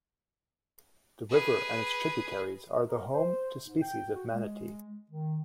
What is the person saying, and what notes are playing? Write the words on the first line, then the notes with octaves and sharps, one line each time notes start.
The river and its tributaries are the home to species of manatee.
G#4 B4
A#4
C5
G#2
G5
F#4
G#3
D#3